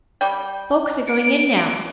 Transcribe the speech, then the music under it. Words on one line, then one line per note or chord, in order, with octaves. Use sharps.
Folks are going in now.
G3 G5
D7